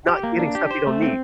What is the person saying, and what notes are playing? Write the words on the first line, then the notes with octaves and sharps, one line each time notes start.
not getting stuff you don't need.
G4
A#3
D4
G4
C5
A3
C4